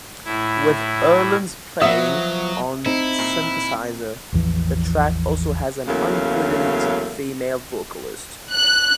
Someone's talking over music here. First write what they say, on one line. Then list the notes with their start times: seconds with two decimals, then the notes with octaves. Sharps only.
With Earland's playing on synthesizer, the track also has an uncredited female vocalist.
0.25 A2 E4
1.81 F3 F#3 B3 E5 D#6
2.86 C4 D#4 E4
3.19 A#2
4.33 A1 E2 E3 F3
5.87 E2 C#3 F#3 A3 A#3 F5
8.52 F#6